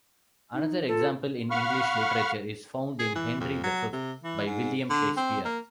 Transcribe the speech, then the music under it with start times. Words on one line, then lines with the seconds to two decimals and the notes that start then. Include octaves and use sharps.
Another example in English literature is found in "Henry the Fifth" by William Shakespeare.
0.54 D#4
0.88 F4 A4
1.50 F5 F#5 B5 C#6 F6
2.99 G#4
3.16 E3
3.40 F2
3.64 F#3
3.93 C3
4.24 E3
4.46 G#2
4.90 D3
5.17 C4
5.45 A#3